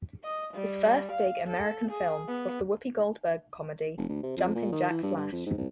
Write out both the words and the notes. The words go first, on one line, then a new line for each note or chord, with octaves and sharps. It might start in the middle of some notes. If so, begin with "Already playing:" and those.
His first big American film was the Whoopi Goldberg comedy "Jumpin' Jack Flash".
D#5
G3
F5
A4
G#4
B3
F1
D2
C3
F2
A#2
D#3
E3
G2
G2
F2
G#2
C2